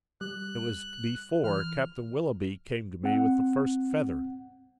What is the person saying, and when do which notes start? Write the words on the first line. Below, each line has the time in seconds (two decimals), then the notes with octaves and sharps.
It was before Captain Willoughby came to me with the first feather.
0.21 G3 F#6
1.44 E3 F6
3.04 C4 F#5